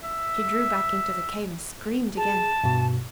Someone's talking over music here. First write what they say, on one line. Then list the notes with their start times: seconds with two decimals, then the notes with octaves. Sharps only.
She drew back into the cave and screamed again.
0.04 E5
2.17 G#4 A5
2.64 G2 B2